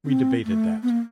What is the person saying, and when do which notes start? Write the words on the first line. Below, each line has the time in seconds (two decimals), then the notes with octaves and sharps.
We debated that.
0.06 C4
0.45 A3
0.83 B3
0.90 A#3